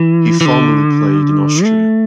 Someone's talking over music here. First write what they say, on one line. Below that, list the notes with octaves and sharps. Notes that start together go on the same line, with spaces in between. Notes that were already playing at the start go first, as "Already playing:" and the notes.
He formerly played in Austria.
Already playing: E3
E3
D3
A3